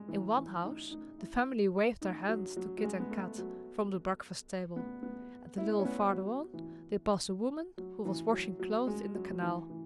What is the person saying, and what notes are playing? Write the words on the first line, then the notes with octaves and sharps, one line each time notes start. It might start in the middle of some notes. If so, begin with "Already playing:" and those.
In one house the family waved their hands to Kit and Kat from the breakfast table, and a little farther on they passed a woman who was washing clothes in the canal.
Already playing: G#3
E3
E3
D#4
D#4
E4
D#4
F#3
F#3
F#3
G#3
B3
A3
F#3
B3
B3
E4
C#4
B3
F#3
E3
F#3
E3
F#3
F#3
G#3
F#3
F#3
E3
E3